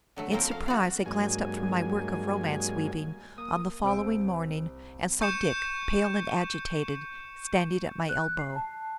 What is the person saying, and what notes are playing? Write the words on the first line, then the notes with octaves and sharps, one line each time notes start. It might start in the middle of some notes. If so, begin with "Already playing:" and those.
In surprise I glanced up from my work of romance-weaving on the following morning, and saw Dick, pale and agitated, standing at my elbow.
D3 F#3 A3
F3 A#3 C4 A#4 C5
F5
F#4 D5 F5
G2 F#3 G#3 A#3 G#5
A#3 D#6
C2 C5 E6 D7
C#6 G6 C#7 E7
F#6
C7
A5